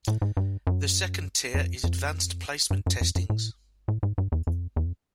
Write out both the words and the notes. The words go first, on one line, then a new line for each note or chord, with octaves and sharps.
The second tier is advanced placement testings.
A2
G#2
G2
F#2
F2
F2
G2
F#2
F2
F#2
A2
A2
G#2
G2
E2
F2
E2
F2